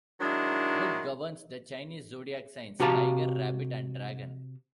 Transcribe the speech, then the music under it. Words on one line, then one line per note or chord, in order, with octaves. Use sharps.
Wood governs the Chinese zodiac signs Tiger, Rabbit and Dragon.
D#3 F#3 G#3 D4 E4
C3 F#4 G4 F5 A5 A#5